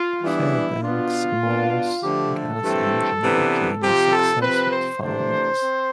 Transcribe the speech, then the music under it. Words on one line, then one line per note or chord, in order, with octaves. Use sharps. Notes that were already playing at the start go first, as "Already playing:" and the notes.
Fairbanks Morse gas engine became a success with farmers.
Already playing: F4
E3 G3 B3 D4 E4
B2 B3 D4 F4
B2 B3 D4
D3 F3 A3 G4
A4
G2 E3 A3 C4
C3 E3 B3 D4
C3 F3 C4 G4
A4
C3 F3 C4 B4
C5
C3 E3 A3 D4 C5
C4